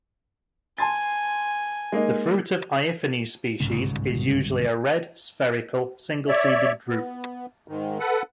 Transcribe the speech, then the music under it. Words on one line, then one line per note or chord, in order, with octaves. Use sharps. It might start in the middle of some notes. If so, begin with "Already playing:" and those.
The fruit of "Aiphanes" species is usually a red, spherical, single-seeded drupe.
G#5 A5 C6 A6
G#3 A#3 D#4
G1 C2 G#2 C#3
C#5 D5 E5
B3
G#2 D#3
A4 B4 F#5